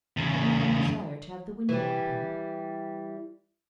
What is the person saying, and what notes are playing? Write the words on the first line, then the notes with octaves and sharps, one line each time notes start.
Did madame desire to have the window open?
E2 C#3
E3 G3